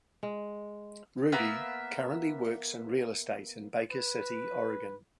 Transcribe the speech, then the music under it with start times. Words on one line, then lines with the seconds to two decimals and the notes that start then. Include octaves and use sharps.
Rudi currently works in real estate in Baker City, Oregon.
0.23 G#3
1.32 A#3 B3 E5 F5
3.92 B4